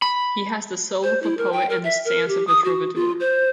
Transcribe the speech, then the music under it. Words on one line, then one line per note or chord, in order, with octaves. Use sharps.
He has the soul of a poet and the stance of a troubadour.
B5
C5
E4
A#4
G5
A#4
E5
A#4
G4
D#6
F#4
F4
C5